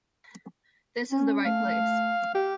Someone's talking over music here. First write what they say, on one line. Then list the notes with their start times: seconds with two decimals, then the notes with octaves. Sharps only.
This is the right place.
1.11 C#4
1.45 A3 F5
2.35 G4